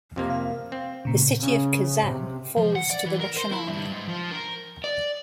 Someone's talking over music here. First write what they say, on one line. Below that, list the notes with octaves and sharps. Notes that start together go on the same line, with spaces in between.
The city of Kazan falls to the Russian army.
F2 C3 A#3
F5
C4
A#2 C#3
C#3
C3
F3
F#5
D5
E3
A#4
C5
E4
G2
G#2
F3
A#4
D5